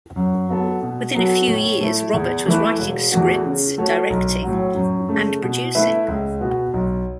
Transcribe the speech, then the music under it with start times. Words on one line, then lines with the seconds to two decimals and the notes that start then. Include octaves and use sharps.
Within a few years, Robert was writing scripts, directing, and producing.
0.16 F#2
0.49 F#3 B3 A4
0.82 B2
1.15 F#3 B3 F#4 A4
1.47 A2
1.81 A3 E4
2.13 E2
2.46 E3 A3 E4 B4
2.79 E1
3.12 E2 E3 A3 F#4
3.45 C#3
3.78 A3 F#4 A4 C#5
4.10 B1
4.43 A2 F#3
4.76 F#2
5.09 C#3 A3
5.42 B2
5.75 A3 E4 B4 E5
6.08 C#2
6.41 B2 B3 F#4
6.73 B1